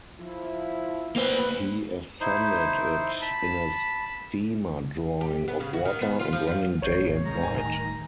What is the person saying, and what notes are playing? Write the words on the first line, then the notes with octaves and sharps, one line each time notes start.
He ascended it in a steamer drawing of water, and running day and night.
F3 E4
A#3 B4 C5
D#4 E4 C5
A5 B5
G4
B3
C#3
F#4
D#3
B3
F4
F3
F#2
A1 C#5 G6 C7
D#2 C3 D#3 G#3 A#5
D#1 A2 G3 G#5